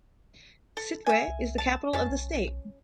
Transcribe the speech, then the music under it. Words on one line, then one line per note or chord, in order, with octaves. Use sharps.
Sittwe is the capital of the state.
A4
E5 G#5
C2
A5
F2 C#4 F5 A5
B1